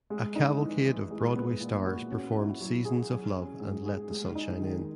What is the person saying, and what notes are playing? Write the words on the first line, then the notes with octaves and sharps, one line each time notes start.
A cavalcade of Broadway stars performed "Seasons of Love" and "Let the Sunshine In".
G#3
D#4
E3
E3
G#3
B3
A#2
F#4
C#4
E4
F#3
G#4
F#3
C#4
G#2
G#4
G#3
D#4
D#3